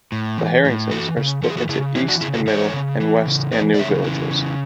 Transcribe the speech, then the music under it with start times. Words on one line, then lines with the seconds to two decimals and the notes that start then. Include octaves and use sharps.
"The Herringtons" are split into "East and Middle" and "West" and "New" villages.
0.12 A2
0.38 E3
0.65 A2
0.91 E3 F#4 A4
1.17 C#3
1.42 E3 A4
1.50 G#4
1.57 F#4 A4
1.69 C#3 E4 G#4
1.95 E3 C#4 E4
2.08 D4 F#4
2.21 C#3 E4 G#4
2.34 F#4 A4
2.47 E3 A4 C#5
2.73 C#3
3.00 E3
3.26 C#3
3.52 E3 B4 D5
3.74 D5
3.79 C#3 C#5 E5
4.04 E3
4.31 C#3